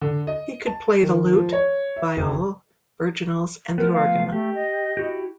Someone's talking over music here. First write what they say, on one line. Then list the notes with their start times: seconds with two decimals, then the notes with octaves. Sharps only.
He could play the lute, viol, virginals and the organ.
0.01 D3
0.27 D#5
0.67 A5
1.03 D#3
1.33 F3
1.53 C#5
1.96 E5
2.17 F#1
3.78 F3 A3 B3 A#4
3.93 F5
4.32 A3 G4
4.55 D#5
4.97 E4 F#4 G4